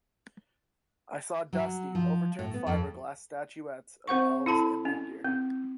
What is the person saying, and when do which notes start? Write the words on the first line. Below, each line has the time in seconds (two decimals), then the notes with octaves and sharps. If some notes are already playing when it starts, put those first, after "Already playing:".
I saw dusty, overturned fiberglass statuettes of elves and reindeer.
1.53 F#3
1.95 F3
2.39 A2
2.54 B3
2.67 F2
4.07 C4 C5 F#5 C#6
4.46 E4 A4 A5 B5
4.85 C#4
5.25 C4